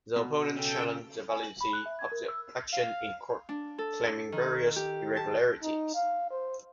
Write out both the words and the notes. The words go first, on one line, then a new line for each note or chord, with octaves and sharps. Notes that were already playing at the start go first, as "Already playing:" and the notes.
The opponents challenged the validity of the election in court, claiming various irregularities.
B2
C#3 A4 G5
G#5
F#7
B5
F#6
E5
G#6
A#4
E6
F5
D4
A4
D#3
G4
A5
D#4
F5
C5